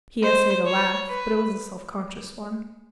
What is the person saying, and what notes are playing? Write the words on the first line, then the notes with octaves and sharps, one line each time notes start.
He essayed a laugh, but it was a self-conscious one.
C5
C#5
B4